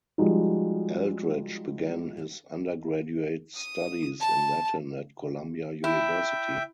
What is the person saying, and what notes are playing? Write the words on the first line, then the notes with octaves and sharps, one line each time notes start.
Eldredge began his undergraduate studies in Latin at Columbia University.
F3 G3 G#3 D#4 F#4
D#6
A5
E4 E5 G5